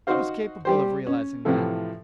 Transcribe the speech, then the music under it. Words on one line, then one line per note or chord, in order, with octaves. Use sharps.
I was capable of realising that.
D#4 F#4 C5 F5
G3 G4 C5
C#4
A2 C3 E3 F3 E4 A4